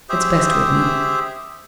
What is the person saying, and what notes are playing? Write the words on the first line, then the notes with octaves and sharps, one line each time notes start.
"It's best with me."
G4 G#4 C5 E5